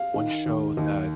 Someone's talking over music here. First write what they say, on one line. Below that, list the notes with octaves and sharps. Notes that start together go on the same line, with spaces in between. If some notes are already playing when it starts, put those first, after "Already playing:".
one show that
Already playing: F5
D#3
D#2
D#2